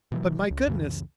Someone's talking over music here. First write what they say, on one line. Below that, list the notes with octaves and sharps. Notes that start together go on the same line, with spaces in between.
But, my goodness!
B2 E3 F#3
C#2
C#2 F#2 C#3 E3